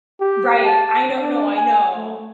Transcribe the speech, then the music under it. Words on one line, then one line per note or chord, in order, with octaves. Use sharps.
Right. I know No, I know.
G4
A5
D4
G#5
A3